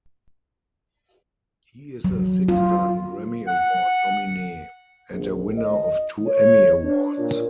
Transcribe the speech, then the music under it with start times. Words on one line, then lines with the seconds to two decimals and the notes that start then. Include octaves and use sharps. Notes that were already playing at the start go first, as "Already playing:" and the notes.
He is a six-time Grammy Award nominee, and a winner of two Emmy Awards.
2.04 F#3
2.48 F4
3.48 F#5
5.11 A#1
5.57 D#5
6.26 C#5
6.84 D4
7.18 A#2